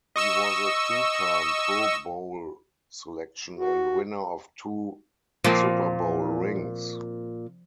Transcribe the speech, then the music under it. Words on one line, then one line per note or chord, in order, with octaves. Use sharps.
He was a two-time Pro Bowl selection and winner of two Super Bowl rings.
D#5 C#6 E6
F#4
A#2 F3 A#3 C4